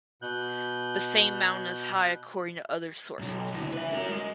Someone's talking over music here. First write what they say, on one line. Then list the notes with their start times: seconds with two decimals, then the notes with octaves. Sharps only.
The same mountain is high according to other sources.
0.22 B2 F#6 G6
3.19 B1 F#2
3.54 D2 E3
3.73 B4 E5
3.92 F#4 A#4
4.09 G#3